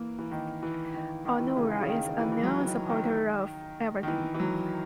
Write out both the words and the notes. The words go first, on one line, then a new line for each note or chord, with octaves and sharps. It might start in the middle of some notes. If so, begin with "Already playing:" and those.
Onuora is a known supporter of Everton.
Already playing: E3 A#3
E3
D#3
E3
D#3
D#3
E3
D#3
C#3
C#3
D#3
D#3
E3
E3
F#3
E3
D#3
D#3
D#3
E3
E3
F#3